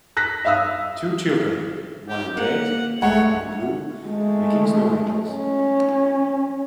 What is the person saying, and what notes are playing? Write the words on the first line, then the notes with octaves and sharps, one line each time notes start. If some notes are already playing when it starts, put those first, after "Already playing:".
Two children, one in red and one in blue, making snow angels.
F#6 A#6 B6
E5 F5 D#6 E6
G4
A#3 F#5
G#3 A3 C#5 F#5
G#3 A3
C#4